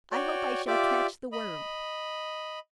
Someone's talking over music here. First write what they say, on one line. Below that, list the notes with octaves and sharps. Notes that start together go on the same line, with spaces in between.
"I hope I shall catch the worm."
F#4 C#5 D5 G5
F4 G4 D5 E5 D6
D#5 B5